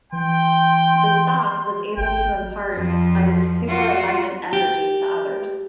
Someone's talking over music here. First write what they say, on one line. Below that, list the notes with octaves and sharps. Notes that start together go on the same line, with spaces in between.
The stock was able to impart of its superabundant energy to others.
E3 G5 C6
G#1 G5
F2 F3
F4 F#4
G4